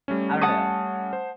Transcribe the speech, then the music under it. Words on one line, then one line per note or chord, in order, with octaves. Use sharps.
I don't know.
G3 A3 C#4
F#5 A5 D#6
C5